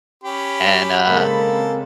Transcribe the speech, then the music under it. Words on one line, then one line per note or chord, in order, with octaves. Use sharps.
and, uh,
C#4 G4 B5
C#3 G#3 A#3 C4 A4